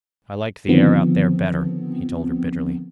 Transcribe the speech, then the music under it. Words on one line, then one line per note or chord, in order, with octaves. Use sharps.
"I liked the air out there better," he told her bitterly.
D3 D#3 F3 B3 C4